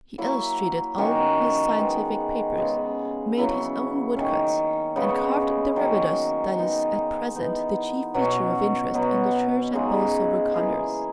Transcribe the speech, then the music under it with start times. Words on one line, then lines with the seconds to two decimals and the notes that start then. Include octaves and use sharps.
He illustrated all his scientific papers, made his own woodcuts, and carved the reredos that is at present the chief feature of interest in the church at Borlsover Conyers.
0.18 F#3 A#3 E4
0.98 D#3 A#3 C#4 F#4
1.78 D#3 G#3 B3
2.57 C#3 G#3 B3
3.37 C#3 F#3 B3 E4
4.16 D#3 A#3 C#4
4.96 C#3 G#3 B3
5.76 D#3 F#3 A#3 C#4
6.56 G#3 B3 D#4
7.35 E3 B3 D#4
8.14 B2 F#3 C#4 F#4
8.94 B2 F#3 B3
9.73 C#3 G#3 D#4
10.54 E3 A#3 E4 G#4